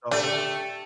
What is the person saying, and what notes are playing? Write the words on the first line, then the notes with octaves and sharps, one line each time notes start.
the whole
A3 D4 G4